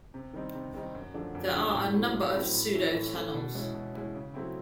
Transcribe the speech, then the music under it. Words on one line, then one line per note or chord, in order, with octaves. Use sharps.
There are a number of pseudo tunnels.
C3
D#3 G3 C4 D#4
C3
D#3 G3 C4 D#4
F#2
D3 F3 A3 D4
F#2
D3 F3 A3 D4
A2
F#3 A3 C4 E4
A2
F#3 A3 C4 E4
A2
E3 A3 C#4 E4
A2
E3 A3 C#4 E4
B2
G#3 C#4 E4
B2
G#3 C#4 E4
C#3
F#3 A3 C4 E4